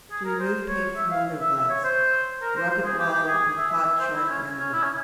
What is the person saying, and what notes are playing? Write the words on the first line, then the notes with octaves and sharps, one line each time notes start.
To Remove Paint from Window-Glass.--Rub it well with hot, sharp vinegar.
G#4
A#4
C5
C#5
E5
F5
E5
E5
C#5
C5
A#4
C5
C5
G#4
G4
G4
G#4
E5
E5
E5
C5
E4
C#4
C#4
E4
C#4